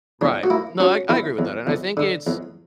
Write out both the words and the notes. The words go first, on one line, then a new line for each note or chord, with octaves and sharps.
Right. No, I I agree with that, and I think it's
E2 D4
F#4
A#3 E4
C#4 F#4
E2 E4
E2
E2
D3
E2